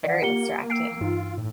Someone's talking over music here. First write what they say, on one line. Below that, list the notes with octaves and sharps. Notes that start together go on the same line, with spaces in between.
Very distracting.
E3 D5 F#5
A#3 F4 G4 A#4 F#5 C#7 G7
G5 E6 C7 D7
G2 E3 D#4 F4
A2